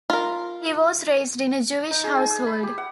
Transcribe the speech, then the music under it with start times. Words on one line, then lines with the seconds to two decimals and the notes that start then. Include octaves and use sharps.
He was raised in a Jewish household.
0.10 F4 A#4
1.91 D#4
2.04 G#4
2.17 G#4
2.30 E6
2.47 B5
2.63 G4
2.78 F#5